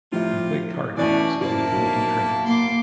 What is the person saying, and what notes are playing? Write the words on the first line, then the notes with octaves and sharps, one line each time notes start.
And play card games on the commuting trains.
A2 C3 F3 G3 E4 F4
B2 E3 A3 C#4 D5 G#5
F#1 A#3 E4 C5 A5
B1
A#3 C6 D6